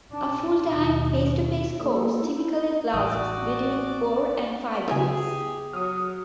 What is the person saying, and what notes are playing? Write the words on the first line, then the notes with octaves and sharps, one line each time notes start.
A full-time, face-to-face course typically lasts between four and five weeks.
D4
D#2 B2
A#3 A4
D#4 E4
A1 E3 G3 F#4 D5 D#6
C#3 B3 E4 G4 G#4 E5 G#5
F#3 D#6 F6